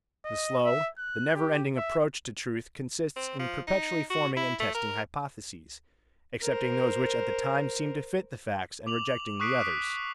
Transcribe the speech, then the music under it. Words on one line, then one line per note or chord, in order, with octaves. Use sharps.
The slow, the never-ending approach to truth consists in perpetually forming and testing hypotheses, accepting those which at the time seem to fit the facts and rejecting the others.
D#5
E5
F#6
G4
E5
C4
F3
D#4
F#4
E4
A3
A#4
A#4 C5
D6 F7 F#7
C#6 D#6 F#6 B6 C7 D7
B6